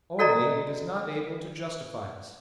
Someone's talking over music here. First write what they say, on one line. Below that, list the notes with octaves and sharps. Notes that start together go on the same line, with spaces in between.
Only it is not able to justify us.
F#4 A4 D5 D#5 A#5